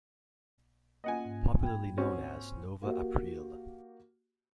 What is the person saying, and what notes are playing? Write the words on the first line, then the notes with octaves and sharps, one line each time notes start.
Popularly known as "Nova Aprile".
A#3 C#4 F4 D#5 F#5 G#5
G#2
G5 B5 G#6
C4 C#4 F#4
A#3 F#4 G4